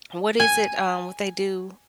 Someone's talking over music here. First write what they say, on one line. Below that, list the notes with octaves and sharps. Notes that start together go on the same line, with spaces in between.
what is it? Um, what they do
G#5